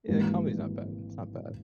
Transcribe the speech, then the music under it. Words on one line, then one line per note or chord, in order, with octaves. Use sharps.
Yeah, comedy's not bad, it's not bad.
G#1 G#2 E3 G3 A#3